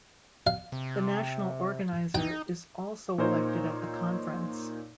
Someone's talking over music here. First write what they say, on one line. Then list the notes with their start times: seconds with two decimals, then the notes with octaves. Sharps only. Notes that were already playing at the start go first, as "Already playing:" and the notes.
The National Organiser is also elected at the conference.
0.47 F5
0.72 C3
2.15 D#4 G5
3.18 A#2 D#4 A#4 C5 C#5